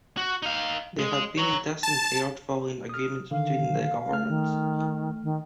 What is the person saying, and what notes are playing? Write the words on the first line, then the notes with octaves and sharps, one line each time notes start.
They had been dis-interred following agreement between the governments.
F#4
D#4 F5
G#3
C#5 A#5
A5
D#6 F6
D3 D#3 F5
A3 F6
D#3
D#3